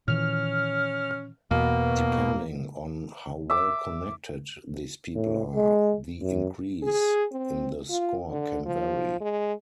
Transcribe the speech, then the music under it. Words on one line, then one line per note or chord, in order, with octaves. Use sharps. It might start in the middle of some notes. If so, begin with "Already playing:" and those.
Depending on how well-connected these people are, the increase in the score can vary.
A#2 D#3 E3 C#4 F6
E2 B2 A#3
E5 D6
A2
G#3
F#2
G#4
C4
F4
D3
F3
G#3